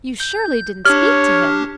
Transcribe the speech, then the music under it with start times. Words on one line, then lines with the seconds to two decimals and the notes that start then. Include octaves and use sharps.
"You surely didn't speak to him?"
0.20 G6
0.85 D4 G4 C#5 F6